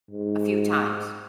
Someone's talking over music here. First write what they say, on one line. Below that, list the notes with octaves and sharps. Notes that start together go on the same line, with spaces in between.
A few times.
G#2